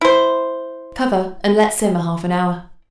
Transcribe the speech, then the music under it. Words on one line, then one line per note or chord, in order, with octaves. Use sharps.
Cover and let simmer half an hour.
E4 C5